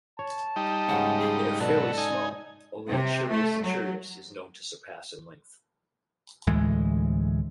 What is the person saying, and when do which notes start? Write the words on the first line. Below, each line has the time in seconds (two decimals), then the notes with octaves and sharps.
They are fairly small; only "Achirus achirus" is known to surpass in length.
0.19 C#5 A5
0.56 G3 D#4
0.89 G#2 C#3 F#5
1.19 G#4
1.60 B2 F#3 A4 D5
1.98 D#4 G#5
2.87 C3
3.30 A3
3.63 F#3
6.47 D2 A2 E3 G#3